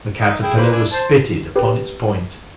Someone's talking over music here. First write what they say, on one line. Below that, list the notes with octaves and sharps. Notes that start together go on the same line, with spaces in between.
The caterpillar was spitted upon its point.
D#4 A#4 E5
E4 G#4 G5
A#3 B4 C5
D4 E4 G#5
C5 A5
G4 B4